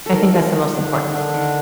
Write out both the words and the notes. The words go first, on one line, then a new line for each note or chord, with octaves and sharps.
I think that's the most important.
A4
D#3 A#4
A#3
D#3
D3
D3
D3
D#3